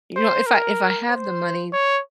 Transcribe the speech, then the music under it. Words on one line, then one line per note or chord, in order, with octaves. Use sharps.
you know, if I if I have the money,
C5
A#4
C5
C#5